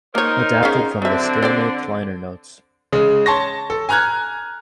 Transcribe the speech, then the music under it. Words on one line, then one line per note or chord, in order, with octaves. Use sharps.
Adapted from the "Stalemate" liner notes.
A#3 D#4 A#4 C5 C#5
C#4 G#4 F5
D3 F#3 C4 D4 E5
A4 C5 D5
C#3 G#3
C#5 A5 C6 C#6 A#6
A4
G#5 A#5 F6 F#6 G#6